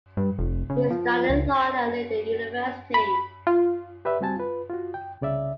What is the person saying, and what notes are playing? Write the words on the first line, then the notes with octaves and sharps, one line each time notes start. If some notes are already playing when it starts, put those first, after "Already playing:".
He studied law at Leiden University.
G2
F1
C#3
F3
C#2
B5
F4
G4 B4 D5 E5
G3 C4 F#4 G#5 A5
F4 B4
F4 F#4
G5
C2 C#3 D5 E5